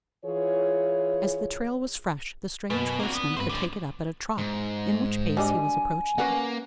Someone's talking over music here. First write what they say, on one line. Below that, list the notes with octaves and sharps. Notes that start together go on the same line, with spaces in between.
As the trail was fresh, the strange horseman could take it up at a trot--in which pace he was approaching.
E3 F4 G#4 C#5
F#2 B2 B4 G#5
A#3 C4 D4 F#4
B3
G2 B3 C4 B4 C5
D2 A2 D3
G#2
G3 D4 D#5 G#5
A#3 C#4 B4 F#5